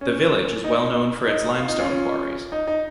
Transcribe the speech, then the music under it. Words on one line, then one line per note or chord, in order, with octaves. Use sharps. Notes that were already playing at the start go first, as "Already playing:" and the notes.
The village is well known for its limestone quarries.
C#4
D#4
D#4
F4
D#4
C#4 F4
C#4 F4
D#4
D#4